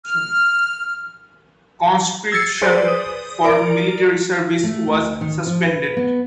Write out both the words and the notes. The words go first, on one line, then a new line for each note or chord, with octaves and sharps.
Conscription for military service was suspended.
F6
E6 G#6 A6 C7 C#7
G#4 B4 C5 D5
D#6
A#4 D5 D7
A3
D2
D#3
F3
B4
B3